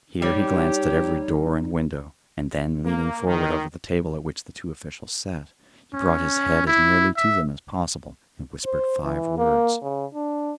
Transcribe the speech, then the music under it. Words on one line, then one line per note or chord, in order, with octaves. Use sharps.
Here he glanced at every door and window; and then, leaning forward over the table at which the two officials sat, he brought his head as nearly to them as possible and whispered five words.
G3 D#4 G4 C#5
A#3
D#3
C#4
E4
E5
C5
E3
A#3
C#3
D4